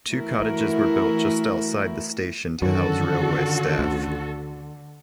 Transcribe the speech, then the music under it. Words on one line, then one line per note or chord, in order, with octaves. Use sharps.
Two cottages were built just outside the station to house railway staff.
E3 A3 E4 F#4 A#4
F#2 D3 D#3 C#4 F#4 A4
D2